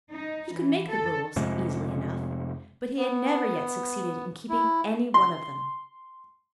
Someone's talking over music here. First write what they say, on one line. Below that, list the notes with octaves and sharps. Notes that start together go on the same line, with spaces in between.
He could make the rules easily enough, but he had never yet succeeded in keeping any one of them.
D#4
E3
A4
F2 C3 G#3
B3
E4
C6